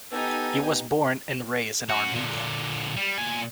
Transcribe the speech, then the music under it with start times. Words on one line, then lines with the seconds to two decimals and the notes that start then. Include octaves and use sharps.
He was born and raised in Armenia.
0.12 B3 D#4 G4 A4 G#5
1.89 C#4 F#4
2.12 A#2 D3
2.96 G3
3.18 A#2 G#5